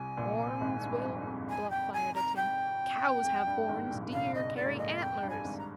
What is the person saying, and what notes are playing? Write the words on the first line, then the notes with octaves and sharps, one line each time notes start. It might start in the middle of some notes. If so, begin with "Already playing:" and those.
"Horns, Will?" Bluff fired at him; "cows have horns, deer carry antlers!"
Already playing: C2 C3 G#5
A#1 A#2
G#1 G#2
G2
F2
F2
G#5
G5
G#5
A#5
G5
F2
G2
G#1 G#2
A#1 A#2
D3
C2 C3 F5
D#5
A#2 D5
G#2
A#1 A#2
D#5
F2 G5
G2
G#5
G#1 G#2
A#5